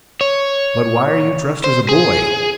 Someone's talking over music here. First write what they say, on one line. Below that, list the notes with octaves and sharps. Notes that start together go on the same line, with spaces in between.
"But why are you dressed as a boy?"
C#5
C5
G#4